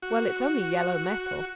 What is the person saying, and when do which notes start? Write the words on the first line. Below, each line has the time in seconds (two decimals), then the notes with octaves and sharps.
Well, it's only yellow metal.
0.02 F#4